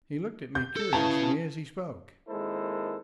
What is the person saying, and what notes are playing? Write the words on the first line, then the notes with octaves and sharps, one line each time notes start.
He looked at me curiously as he spoke.
G6
A4
C#4 E4 B4 F5 A5 G#6
G#1 G#3 A#3 E4 A4 C5